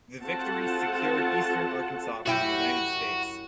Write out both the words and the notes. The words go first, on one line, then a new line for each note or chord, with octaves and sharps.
The victory secured eastern Arkansas for the United States.
C4 F4 F#4 A4 F#5 A5
F#2 E4 F#4 G4